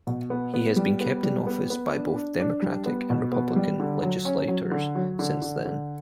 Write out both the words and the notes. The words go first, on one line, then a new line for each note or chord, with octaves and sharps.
He has been kept in office by both Democratic and Republican legislatures since then.
B2
B3
B3
G3
B3
G3
B3
B3
D4
D4
D4
G3
B3
B2
B3
G3
D3
F#3
C#4
F#3
D3
F#3
D3
D3
D3